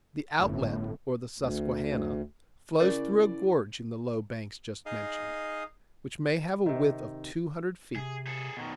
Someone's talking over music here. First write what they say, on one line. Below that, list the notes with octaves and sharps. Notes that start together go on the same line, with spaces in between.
The outlet, or the Susquehanna, flows through a gorge in the low banks just mentioned, which may have a width of two hundred feet.
G1 F#2 A2
D2
C#3 E4 A#4 D5
D#4 G#4 D#5 F5
C3 D#3
C3 G#4
G#4 A4
B2 D#3